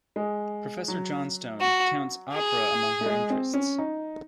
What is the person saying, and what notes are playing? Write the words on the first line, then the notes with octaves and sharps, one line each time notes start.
Professor Johnstone counts Opera amongst her interests.
G#3
F#3
F#4
G#4
A3
G#3
C4
C#4
D#4